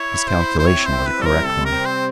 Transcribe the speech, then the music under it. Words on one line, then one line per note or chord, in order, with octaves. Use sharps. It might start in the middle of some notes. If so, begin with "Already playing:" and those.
His calculation was a correct one.
Already playing: E4 C#5
E4
C5
E4
C5
C4 C#5
C5
C4
B4
G3 A4
A#4
C3 A4
A#4
C4
C5